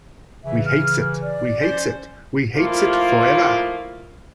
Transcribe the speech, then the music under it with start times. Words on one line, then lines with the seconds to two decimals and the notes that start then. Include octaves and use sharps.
We hates it, we hates it, we hates it forever!
0.44 C#3 E3 E5
0.66 F6
1.22 D5
1.61 F3 C#4 C5
2.56 F3 A3 A#3 E4 F4